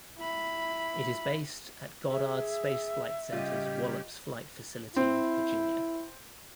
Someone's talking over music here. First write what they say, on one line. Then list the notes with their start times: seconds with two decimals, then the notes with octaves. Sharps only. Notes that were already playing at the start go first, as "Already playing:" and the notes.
It is based at Goddard Space Flight Center's Wallops Flight Facility, Virginia.
0.18 E4 B5
2.09 G#4 E5
3.32 C#3 G3 F4 G4 D#5
4.96 C4 E4